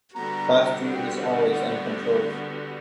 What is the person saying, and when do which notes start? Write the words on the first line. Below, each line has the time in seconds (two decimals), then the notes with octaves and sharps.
Class G is always uncontrolled.
0.14 D3 G3 B3 F#4 A#5
0.89 F#5
0.94 G5
1.22 F#5
1.48 F#5